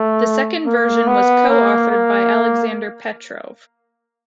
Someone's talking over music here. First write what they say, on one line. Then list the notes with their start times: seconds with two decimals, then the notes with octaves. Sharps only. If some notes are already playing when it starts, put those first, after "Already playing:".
The second version was co-authored by Alexander Petrov.
Already playing: A3
0.67 A#3
1.07 B3
1.49 A#3
1.91 A#3